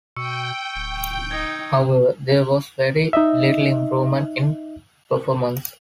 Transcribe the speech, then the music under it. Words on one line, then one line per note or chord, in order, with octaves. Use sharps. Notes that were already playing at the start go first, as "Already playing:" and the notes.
However, there was very little improvement in performance.
B2 G5 C#6 E6 C#7
D1 C#7
D#4 G#6
D#4 D#5 E5